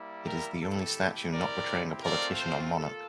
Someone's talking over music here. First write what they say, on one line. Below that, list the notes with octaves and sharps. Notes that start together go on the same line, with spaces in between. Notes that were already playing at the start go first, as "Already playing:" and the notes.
It is the only statue not portraying a politician or monarch.
Already playing: G3 A#3 E4
G4 A#4
A3 E4 G4 A4
C4 E4 G4 A#4 D5
A3 C4 F4 A#4 D5
A4 C5
A#3 F4 A4